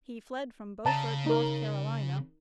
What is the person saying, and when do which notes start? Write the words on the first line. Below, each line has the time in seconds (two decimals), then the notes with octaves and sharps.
He fled from Beaufort, North Carolina.
0.86 C#3 A5 A#5
1.26 D#4 A#4